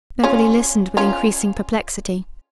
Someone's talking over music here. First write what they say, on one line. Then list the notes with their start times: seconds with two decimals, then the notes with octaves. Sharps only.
Beverly listened with increasing perplexity.
0.24 C#4 F4
0.97 C#4 F4